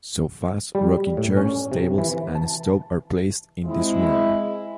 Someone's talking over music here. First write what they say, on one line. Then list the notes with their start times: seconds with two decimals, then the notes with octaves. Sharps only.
Sofas, rocking chairs, tables, and a stove are placed in this room.
0.75 G3
1.17 A2
1.37 C#4
1.72 C3
1.98 E3
2.35 A5
3.65 G#3 C4 E4